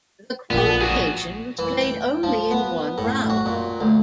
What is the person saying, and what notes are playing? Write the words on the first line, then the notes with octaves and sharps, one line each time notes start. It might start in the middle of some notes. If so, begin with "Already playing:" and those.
The qualification was played only in one round.
A#1 A#2 B3
F#4 G#4
E3
G5
F3
B3
A2
F#4
A#2
D2